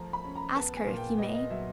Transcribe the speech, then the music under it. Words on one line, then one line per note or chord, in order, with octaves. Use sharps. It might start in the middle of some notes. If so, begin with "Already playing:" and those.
"Ask her if you may."
Already playing: F3 A3 A#5
B5
C#4
A#5
B3 A5
G#5
A#2
G5
B3 D#5
D#5
F#3 E5